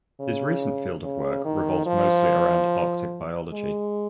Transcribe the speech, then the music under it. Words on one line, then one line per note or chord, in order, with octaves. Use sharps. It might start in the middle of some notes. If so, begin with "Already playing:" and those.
His recent field of work revolves mostly around arctic biology.
C#3
C#3
D#3
F3
G#3